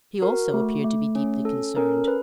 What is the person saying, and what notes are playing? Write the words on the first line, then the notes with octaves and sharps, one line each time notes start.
He, also, appeared to be deeply concerned.
F#4 A#4
A3
A3
C#4
A4
C#4 A#4
B4